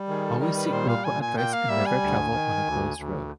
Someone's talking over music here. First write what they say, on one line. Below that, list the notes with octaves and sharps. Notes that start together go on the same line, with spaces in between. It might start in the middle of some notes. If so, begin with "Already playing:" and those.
Always seek local advice and never travel on a closed road.
Already playing: G3
D#3 G#4
A4
G3 A#4
B4
A#2 C5
F5
A#2 G#5
G#5
A#3 G5
F5
G3 E5
G#5
D2
D#3
D2
D2